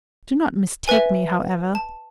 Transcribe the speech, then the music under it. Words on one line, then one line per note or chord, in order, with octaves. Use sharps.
Do not mistake me, however.
B4 E5 G#5
A5